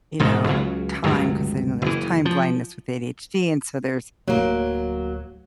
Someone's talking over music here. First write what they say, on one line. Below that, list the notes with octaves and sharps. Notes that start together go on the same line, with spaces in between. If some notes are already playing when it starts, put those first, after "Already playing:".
you know, time, 'cause they know there's time blindness with ADHD, and so there's
E1 G#2 B2
C#2 C#3 F#3
G1 C#2 A2 F#3
F#1 E3
F3
D1 F#3 A#3